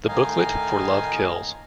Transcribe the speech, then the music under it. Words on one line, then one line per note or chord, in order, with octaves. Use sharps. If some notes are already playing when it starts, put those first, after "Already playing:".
The booklet for Love Kills!
A2 D#3 D#4 D#5 F5 G#5